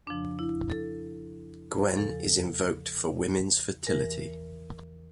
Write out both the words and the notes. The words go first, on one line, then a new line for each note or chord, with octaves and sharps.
Gwen is invoked for women's fertility.
F2 C#3 F3 D4
E4
A4
E2 C#3 F3 A4
E2 E3 A#4